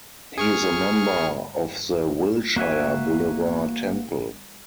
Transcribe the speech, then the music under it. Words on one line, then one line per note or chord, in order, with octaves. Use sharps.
He is a member of the Wilshire Boulevard Temple.
G#4 C#6 F6
A#3 F#4 E5 G#5